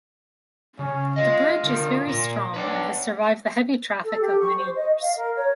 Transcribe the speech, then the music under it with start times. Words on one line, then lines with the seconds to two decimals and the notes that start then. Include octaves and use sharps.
The bridge is very strong and has survived the heavy traffic of many years.
0.79 C#3 C#4
1.16 F4 G#4 D#5
1.63 D3 A#4
2.06 A#2 A#4
2.54 D4 B4 C#5 F#5
4.04 A4
4.21 G4
4.40 C#6
4.57 C5
4.76 D#5
5.01 F5
5.17 A#4
5.35 C#5